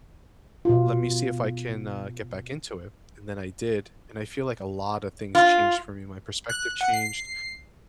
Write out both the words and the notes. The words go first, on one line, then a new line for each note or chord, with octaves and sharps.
let me see if I can, uh, get back into it," and then I did, and I feel like a lot of things changed for me, my perspective changed,
B2 F4
F4
F#6
F#5
C7